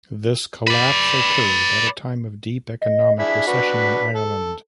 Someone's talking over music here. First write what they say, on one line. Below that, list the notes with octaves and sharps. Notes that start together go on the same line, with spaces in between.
This collapse occurred at a time of deep economic recession in Ireland.
B4 D5
D#5
D4 E4 G#4 B6
D4 F#4 B4
A4